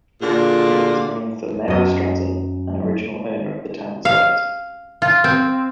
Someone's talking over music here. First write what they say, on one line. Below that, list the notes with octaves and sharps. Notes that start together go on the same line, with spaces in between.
It was named for Mary Stratton, an original owner of the town site.
A#2 D3 F4 F#4 G#4 D5
F#2 D#5
F5
F4
C4